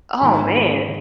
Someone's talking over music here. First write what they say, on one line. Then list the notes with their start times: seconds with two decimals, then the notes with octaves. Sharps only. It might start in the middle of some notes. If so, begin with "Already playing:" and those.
Oh, man.
0.20 G#2 D#3 G#3 B5
0.57 B5